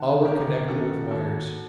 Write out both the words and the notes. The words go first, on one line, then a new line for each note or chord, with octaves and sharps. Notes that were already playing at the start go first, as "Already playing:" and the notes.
All were connected with wires.
Already playing: D#3 F#5 A5
G1 G4 A#4
F#2 D#3 F#4 A4
D#2 F#4 A4